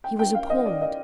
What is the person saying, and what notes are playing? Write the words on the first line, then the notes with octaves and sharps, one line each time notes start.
He was appalled.
G5
G5
F5
D#5
D5
D#5